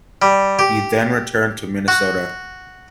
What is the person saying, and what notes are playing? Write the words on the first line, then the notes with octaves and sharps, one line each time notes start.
He then returned to Minnesota.
G3
G4
F#4